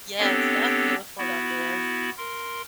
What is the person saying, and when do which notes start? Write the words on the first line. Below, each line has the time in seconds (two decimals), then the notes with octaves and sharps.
Yes, that's beautiful down there.
0.19 B3 C4 D4 G4 A4 C#5
1.18 B3 E4 F#4
2.18 A#4 C6